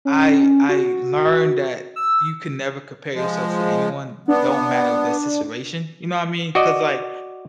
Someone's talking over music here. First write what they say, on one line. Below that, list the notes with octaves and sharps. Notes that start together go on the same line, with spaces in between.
I I learned that you can never compare yourself to anyone. Don't matter the situation. You know what I mean, 'cause, like,
C#4
F#4
E6
F3 G#3
B3 D4
F#4 D5 D#5